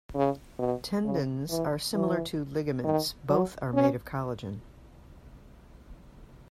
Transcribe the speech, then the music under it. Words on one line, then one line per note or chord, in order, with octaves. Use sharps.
Tendons are similar to ligaments; both are made of collagen.
C#3
B2
C#3
E3
E3
D#3
F#3
C#4